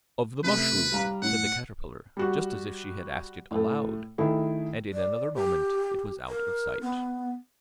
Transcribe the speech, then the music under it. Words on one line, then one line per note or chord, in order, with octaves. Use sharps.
'Of the mushroom,' said the Caterpillar, just as if she had asked it aloud; and in another moment it was out of sight.
C3 A3 B4
G3 F5 A#5
A2 F#5
G3 F#4
A2 A3
D#3 A3 E4 G#4
D5
G4
A#4
B3